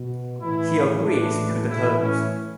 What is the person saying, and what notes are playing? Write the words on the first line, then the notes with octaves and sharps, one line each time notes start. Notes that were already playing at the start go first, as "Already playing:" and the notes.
He agrees to the terms.
Already playing: B2
A2 E3 E4
A2 E3 D4
A2 E3 E4
C#4